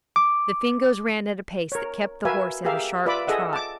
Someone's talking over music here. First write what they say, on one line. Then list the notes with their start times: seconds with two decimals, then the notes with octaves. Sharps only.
The Fingoes ran at a pace that kept the horse at a sharp trot.
0.16 D6
1.72 A#4 C#5
2.25 F#4 A#4 B4 E5 F5 G#5
2.65 G4 G#4 A#4 E5 F5
3.06 F4 B4 D5 E5 B5 D6
3.27 G#4 A4 D#5 E5 F#5
3.53 A5 D6